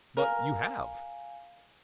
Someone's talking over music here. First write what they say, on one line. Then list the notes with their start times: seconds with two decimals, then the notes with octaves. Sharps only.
"But you have."
0.17 A#4 F5 G#5